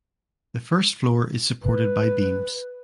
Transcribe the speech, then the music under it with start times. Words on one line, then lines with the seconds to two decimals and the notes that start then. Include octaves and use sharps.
The first floor is supported by beams.
1.62 B4